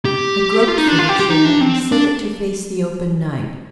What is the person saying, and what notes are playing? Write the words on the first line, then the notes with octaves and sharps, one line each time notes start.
I groped for the chair and set it to face the open night.
G4
F4
D#4
D4
F4
G4
G4
D#4
D4
C4
D4